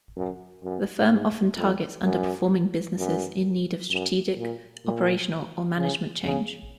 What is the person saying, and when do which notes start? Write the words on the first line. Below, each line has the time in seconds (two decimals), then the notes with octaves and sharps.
The firm often targets under-performing businesses in need of strategic, operational, or management change.
0.16 F#2
0.63 F#2
1.10 G#2
1.56 F2
2.04 F#2
2.98 F#2
3.91 F#2
4.38 A#2
4.85 A#2
5.77 C#3
6.24 C#3